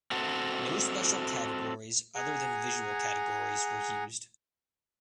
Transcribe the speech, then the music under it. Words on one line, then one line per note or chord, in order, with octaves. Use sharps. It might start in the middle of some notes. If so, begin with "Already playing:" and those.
No special categories other than visual categories were used.
C4 F#4 A4
G#4 F#5 G#5 A#5